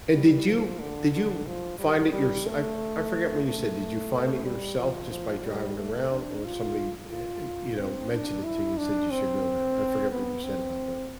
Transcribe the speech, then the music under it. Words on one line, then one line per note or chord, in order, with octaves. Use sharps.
And did you did you find it yourse I I forget when you said, did you find it yourself just by driving around or somebody eh eh, you know, mentioned it to you and said you should go there, I forgot what you said about that.
G3
F3
D3
D3
F3
G3
G3
A3
A3
G3
F3
F3
G3
A3
D4
F4
F4
C4
D4
E4
D4
C4
B3
C4